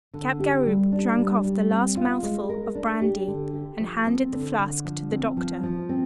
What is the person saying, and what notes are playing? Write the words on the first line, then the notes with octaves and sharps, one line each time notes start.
Capgaroupe drank off the last mouthful of brandy, and handed the flask to the doctor.
D3
G4
G3
D4
G3
G3
C4
F4
G#3
A#4
D4
G4
D3
G4
F3
C4
D3
D3
F3
C4
F3
F3
C4